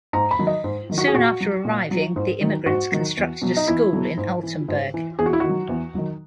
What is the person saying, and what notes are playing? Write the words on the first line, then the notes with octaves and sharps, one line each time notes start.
Soon after arriving, the immigrants constructed a school in Altenburg.
G#2 A#5
B5
D#3 F#3
D#5
G#2
D#3 F#3
F#4
G#4
A#2 F#4
F#3
A#2
F#3
G#2
D#3 F#3
G#2 F#4
D#3 F#3
E2
B2 F#3
D#4
E2 E4
B2 F#3
G#2
E3
G#2
E3
E2 G#4
F#4
E4
D#3 F#4
F#3
E2
D#3 F#3